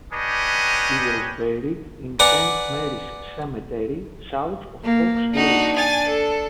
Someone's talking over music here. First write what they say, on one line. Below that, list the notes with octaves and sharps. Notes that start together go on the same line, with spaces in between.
He was buried in Saint Mary's Cemetery south of Fox Lake.
C#4 D4 G4 B4 C#5 D#5
B4 D5 F#5 G#5 A#5
A#3
D4 D#4 F#4
G#5 A6
A4